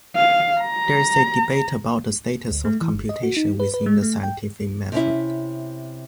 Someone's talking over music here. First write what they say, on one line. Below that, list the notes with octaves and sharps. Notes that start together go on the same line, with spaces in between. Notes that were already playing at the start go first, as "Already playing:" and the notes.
There is a debate about the status of computation within the scientific method.
F5
A#5
D2
A3
E3
G1
D#5
F#4
D#4
B4
B4
G#3
A3
G5
C3 C#4 E4